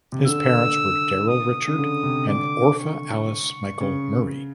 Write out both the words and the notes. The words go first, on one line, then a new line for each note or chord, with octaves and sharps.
His parents were Darrell Richard and Orpha Alice Michael Murray.
C3
C#3
D3 E6
D#6
C#3
D3
C3
D3 D6
C#6
C#3